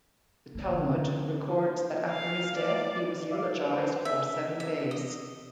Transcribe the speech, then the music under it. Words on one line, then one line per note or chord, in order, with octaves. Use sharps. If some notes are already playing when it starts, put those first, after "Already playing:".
The Talmud records that after his death, he was eulogized for seven days.
D3 A#3
F5
D5
D5 E5 F5
C#4 B4 C5
E5
E5
D#5